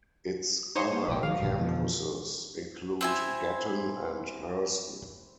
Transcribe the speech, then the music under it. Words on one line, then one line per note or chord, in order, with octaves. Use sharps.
Its other campuses include Gatton and Herston.
D#4 C5 C#5
A#3 B3 G#5
B1 A2 B4 D#5 G5
D#3 F3 F#3 G#4 F5
A#1 G2 A#2 D3 E3
F2 B2 F3
C4 E4 G#5